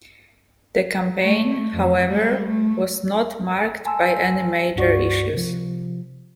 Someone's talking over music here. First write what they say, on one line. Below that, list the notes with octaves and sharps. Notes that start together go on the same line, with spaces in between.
The campaign, however, was not marked by any major issues.
A3
F2
G3 G#3
A3
G#5 A5 C6 E6
C#2 G2 F#4 D5 C#6
C3 F3